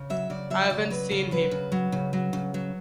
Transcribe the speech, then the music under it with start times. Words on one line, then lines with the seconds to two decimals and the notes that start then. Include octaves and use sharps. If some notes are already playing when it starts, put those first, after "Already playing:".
I haven't seen him.
Already playing: C#3
0.10 F#3 E5
0.30 C#3 D5
0.50 F#3 E5
0.70 C#3 D5
0.90 F#3 B4
1.11 C#3 A4
1.31 F#3 B4
1.51 C#3
1.72 F#3
1.92 C#3
2.13 F#3
2.33 C#3
2.54 F#3